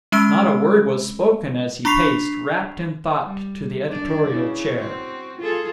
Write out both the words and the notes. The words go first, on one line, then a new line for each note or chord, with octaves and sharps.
Not a word was spoken as he paced, wrapped in thought, to the editorial chair.
G#3 C#4 B5 E6 D7
D4 B5 C#6 B6 C7 F7
G3
F#2 D4 D5
C#3 E4
C4 F#4
F4 G#4 A4